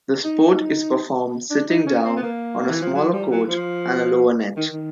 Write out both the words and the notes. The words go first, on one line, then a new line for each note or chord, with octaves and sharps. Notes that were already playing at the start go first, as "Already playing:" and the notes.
The sport is performed sitting down, on a smaller court and a lower net.
D#4
D4
D#4
C#4
C4
B3
A#3
E3
F3
F#3
G3
F#3
F3
D#3
D#3